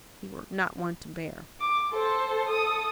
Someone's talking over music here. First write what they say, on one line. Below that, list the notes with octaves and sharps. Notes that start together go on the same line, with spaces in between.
He were not one to bear.'
D6
A4 C5
A4 D#6